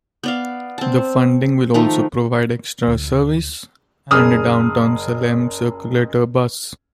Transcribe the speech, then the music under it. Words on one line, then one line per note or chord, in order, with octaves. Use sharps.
The funding will also provide extra service, and a Downtown Salem circulator bus.
B3 D5 F5
C4 A5
D#3 F3 A3 D#4
D2
F#1 G#4 D#6 F6